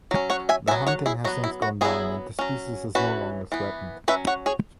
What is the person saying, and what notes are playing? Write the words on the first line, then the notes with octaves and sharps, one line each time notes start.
The hunting has since gone down and the species is no longer threatened.
F#3 C#4
C#5 F#5
E5 G#5
F#3 B3 E5 G#5
C#5 F#5
E4 G#4
F#3 B3 F#4
E4
F#4
F#3 B3 E4 G#4
F#3 C#4
E3 C#4 F#4 B4
E3 B3
F#3 C#4 B4 E5
C#5 F#5
G#4 C#5